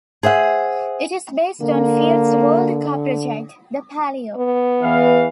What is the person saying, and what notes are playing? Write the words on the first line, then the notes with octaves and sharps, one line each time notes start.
It is based on Fiat's world car project, the Palio.
G#4 C5 E5 F#5
D3 A#3
B3
E2 E3 F5